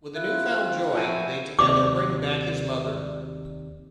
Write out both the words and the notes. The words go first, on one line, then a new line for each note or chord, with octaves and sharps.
With a newfound joy, they together bring back his mother.
E4 F4 F#6
C4
F3 E4 F#4 G#5
D#2 C3 F#4 D5 D6